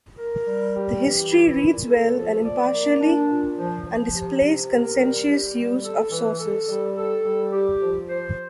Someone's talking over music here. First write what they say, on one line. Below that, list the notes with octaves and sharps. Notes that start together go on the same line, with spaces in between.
The history reads well and impartially, and displays conscientious use of sources.
A#4
G3
G4
E3
E4
A#2
A4
F3
D5
A#3
D4
A#2
F3
F3
C3
C3
A#4
G3
G4
G3
A4
E3
A4
G3
A4
G3
G4
F3
C5